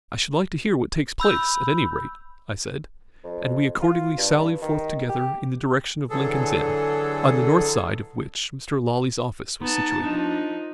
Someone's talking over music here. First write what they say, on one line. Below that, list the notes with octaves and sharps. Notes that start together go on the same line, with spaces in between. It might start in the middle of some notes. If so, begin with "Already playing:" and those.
"I should like to hear what takes place, at any rate," I said, and we accordingly sallied forth together in the direction of Lincoln's Inn, on the north side of which Mr. Lawley's office was situated.
B5 E6 G6
F2
F4
G2
D#3
G4
D3 E3 F#3 G#4 A4
B3 D#4 A5
F3 D4 D#4